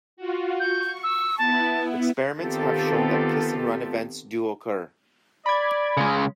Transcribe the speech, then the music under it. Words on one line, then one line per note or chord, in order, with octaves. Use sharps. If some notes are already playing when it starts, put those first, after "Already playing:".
Experiments have shown that kiss-and-run events do occur.
F4 F#4
C#6 G6
E6
B3 E4 A5
D#3 B3 C4 F4 G4 A4
D5 B5 G#6
C#3 G#3